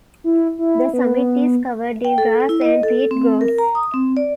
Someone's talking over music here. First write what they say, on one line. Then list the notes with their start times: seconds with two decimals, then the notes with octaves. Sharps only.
The summit is covered in grass and peat groughs.
0.24 E4
0.59 E4
0.93 B3
2.05 G5
2.18 A4
2.49 E4
2.61 D#5
2.83 A4
3.11 C4
3.41 A#4
3.58 A#5
3.75 D#6
3.94 C4
4.17 D5